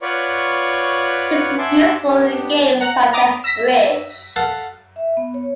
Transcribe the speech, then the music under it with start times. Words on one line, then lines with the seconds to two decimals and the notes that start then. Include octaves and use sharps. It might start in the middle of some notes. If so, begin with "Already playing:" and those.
This is useful in games such as bridge.
0.02 F4 B4 C#5 D5 F#5 C#6
1.58 E5 F#5 G#5 A5 C6 D6
2.08 B3 D4 G4
2.80 F#5 A#5
3.13 A#5 D6 D#6
3.44 E6 A#6 B6
4.36 A4 F5 F#5
4.96 E5
5.17 B3
5.34 C#5